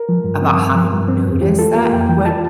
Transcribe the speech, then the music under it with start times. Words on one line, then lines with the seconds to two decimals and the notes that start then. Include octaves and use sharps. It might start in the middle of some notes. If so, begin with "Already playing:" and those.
about how to notice that, what
Already playing: A#4
0.09 F3
0.24 G2
0.42 C4
0.58 G2
0.75 F3
0.92 G2
1.08 C4
1.26 F2
1.42 E3 G4
1.59 F4 A4
1.75 A#3 A#4
1.92 F2 G5
2.09 E3 G5
2.26 F4 A5